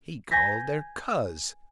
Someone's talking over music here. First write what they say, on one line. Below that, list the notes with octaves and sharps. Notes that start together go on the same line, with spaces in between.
He called her Coz!
G#5 G6 A#6 B6